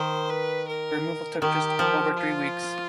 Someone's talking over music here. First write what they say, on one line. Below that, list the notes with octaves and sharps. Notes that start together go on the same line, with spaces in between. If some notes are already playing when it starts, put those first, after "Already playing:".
The removal took just over three weeks.
Already playing: D#3 C5
B4
A#4
D#3 G4
F3
F4